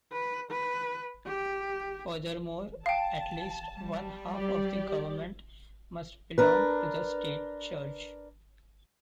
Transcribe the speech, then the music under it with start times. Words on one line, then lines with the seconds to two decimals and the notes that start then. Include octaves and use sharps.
Furthermore, at least one half of the Government must belong to the state church.
0.12 B4
0.51 B4
1.26 G4
2.86 F5 G5 A5
3.76 G3
4.35 G4 D5
6.38 D4 A#4 B4